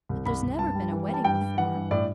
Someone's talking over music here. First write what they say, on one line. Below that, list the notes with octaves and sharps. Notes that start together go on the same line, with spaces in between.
But there's never been a wedding before.
C2
C2 B5
C2
G2 A5
G3
E3
G3
A5
G2 G5
G3
E3 F#5
G2
A2 D5